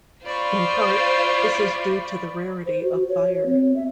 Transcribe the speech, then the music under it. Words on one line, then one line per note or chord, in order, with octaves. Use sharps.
In part, this is due to the rarity of fire.
F4 C5 D5 B5 C#6
C5
F#4
C#5
C#5
C4
E5